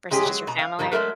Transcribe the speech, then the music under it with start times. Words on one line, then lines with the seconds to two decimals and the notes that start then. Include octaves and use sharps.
versus just your family?
0.11 G#2 G#3 C#4 G4 G#4
0.25 F#3 G#3
0.47 B2 A#5
0.59 F5
0.79 G#2 D#3 G3 A#3
0.92 F#3 G#3 A3 A#4 B4